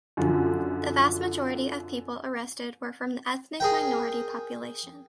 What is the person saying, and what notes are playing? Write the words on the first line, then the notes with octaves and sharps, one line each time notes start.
The vast majority of people arrested were from the ethnic minority population.
F#2 D3 F3
G#4 A#4 G5